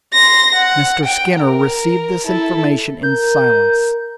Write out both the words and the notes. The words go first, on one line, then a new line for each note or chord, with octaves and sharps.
Mr. Skinner received this information in silence.
C6 A#6
F#5
G5
A#4
E4 A4
A#4 G6